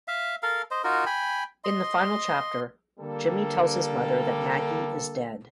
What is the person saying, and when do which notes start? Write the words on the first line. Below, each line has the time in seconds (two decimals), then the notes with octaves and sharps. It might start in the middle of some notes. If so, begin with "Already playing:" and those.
In the final chapter, Jimmie tells his mother that Maggie is dead.
0.08 E5 F5
0.43 A4 A#4 F5
0.71 C5 D#5
0.84 D#4 F4 F#4 A#4
1.06 G5 G#5 B5
1.64 D#5 C6
3.00 D3 G3 A#3 A4